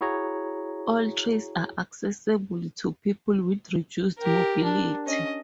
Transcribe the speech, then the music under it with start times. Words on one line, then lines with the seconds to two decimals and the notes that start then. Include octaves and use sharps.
All trails are accessible to people with reduced mobility.
0.01 E4 F#4 G#4 C#5 A#5
4.19 G4 A#4
4.64 D4
5.06 C#4 D#5